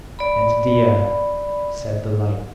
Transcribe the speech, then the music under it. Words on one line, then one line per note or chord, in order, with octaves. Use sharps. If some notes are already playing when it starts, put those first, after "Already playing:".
And Dea! said the light.
D5 B5